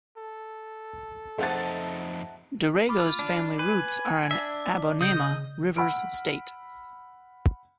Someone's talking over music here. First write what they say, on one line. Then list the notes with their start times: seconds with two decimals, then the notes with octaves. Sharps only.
Darego's family roots are in Abonnema, Rivers State.
0.17 A4
1.38 F2 D#4 C5 E5 F#5 A5 A6
2.89 F4 B5 D6
3.19 D4
3.59 B4 G#5
4.31 D4 E5
5.01 C#3 D#5 D#6 G6
5.76 F#5 B5 E6 F6 D7